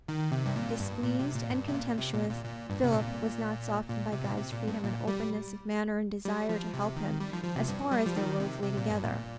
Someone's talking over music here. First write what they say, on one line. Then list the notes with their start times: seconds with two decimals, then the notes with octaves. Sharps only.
Displeased and contemptuous, Philip was not softened by Guy's freedom and openness of manner and desire to help him as far as their roads lay together.
0.08 D#3
0.32 C3
0.46 G2
0.56 A#2
0.80 G2
1.03 A#2
1.19 C3
1.35 A#2
1.50 G2
1.68 C3
1.74 A#2
1.98 C3
2.14 A#2
2.30 A#2
2.45 A#2
2.70 G2
2.84 C3
2.93 A#2
3.88 A#2
4.12 C3
4.24 A#2
4.36 C3
4.52 A#2
4.68 G2
4.84 A#2
5.08 G3
6.25 G3
6.49 F3
6.74 C3
6.96 D#3
7.20 G3
7.33 F3
7.44 F3
7.56 C3
7.68 G2
7.91 G3
8.06 F3
8.16 D#3
8.40 C3
8.63 C3
8.77 A#2
8.90 G2
9.03 A#2